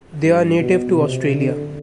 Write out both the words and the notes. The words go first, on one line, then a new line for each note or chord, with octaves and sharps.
They are native to Australia.
G2
B2
C3
D3